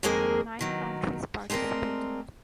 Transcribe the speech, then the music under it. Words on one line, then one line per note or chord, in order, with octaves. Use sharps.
Nine countries participated.
F2 D#3 G#3 A#3 G#4 A#4
B2 D#3 F#3
G#3 A3 C4 A#4 D5